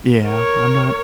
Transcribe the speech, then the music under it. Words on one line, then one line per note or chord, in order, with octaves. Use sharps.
Yeah. I'm not
A#4 C#5